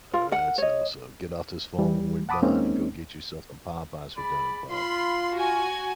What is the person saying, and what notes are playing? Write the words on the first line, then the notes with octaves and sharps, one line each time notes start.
Alright, so so, get off this phone when we're done and go get yourself some Popeyes for dinner, Bo.
F4 A#4
A#4 F#5
C#5 D#5
E3 G3
F#5 A5 B5 D6 D#6
G#3 A#3 C4 C#4 D#4
G#4 D5 B5
F4 B5 C6
F#4 G#5